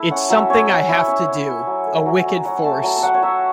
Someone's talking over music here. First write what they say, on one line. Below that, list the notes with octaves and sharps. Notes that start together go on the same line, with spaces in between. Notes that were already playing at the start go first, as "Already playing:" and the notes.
It's something I have to do - a wicked force.
Already playing: A3 E4 A5
C#4 F#5
F#3 E5
C#4 C#5
C#4 F#5
E4 E5
C#4
C#4
E4
F#3
A3
F#3
F#3
F#3 F#5
A3 A5
F#3 A5
A5
F#3 F#5
C#5
F#3 E5